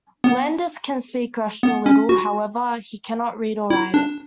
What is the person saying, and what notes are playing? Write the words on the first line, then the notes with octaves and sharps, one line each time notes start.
Landers can speak Russian a little; however, he can not read or write it.
B3
B3
C#4
F#4
E4
D4